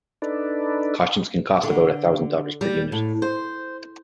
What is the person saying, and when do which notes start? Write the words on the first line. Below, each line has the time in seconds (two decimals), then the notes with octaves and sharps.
Costumes can cost about a thousand dollars per unit.
0.22 D4 D#4 A4 B4 D5
1.63 D3
2.61 G3
2.92 A2
3.22 C5